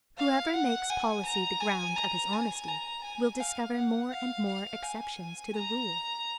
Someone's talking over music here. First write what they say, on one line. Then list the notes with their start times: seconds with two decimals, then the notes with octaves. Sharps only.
Whoever makes policy the ground of his honesty will discover more and more exceptions to the rule.
0.17 F5
0.53 F#5
0.90 G#5
1.26 A#5
1.60 G#5
1.96 A#5
2.33 G#5
2.68 A#5
3.04 G#5
3.40 F5
3.77 F#5
4.12 F5
4.48 F5
4.83 G#5
5.55 A#5